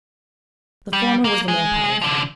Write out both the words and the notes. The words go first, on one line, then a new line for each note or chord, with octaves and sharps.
The former was the more powerful.
G3
A#3
G#3
D3 F3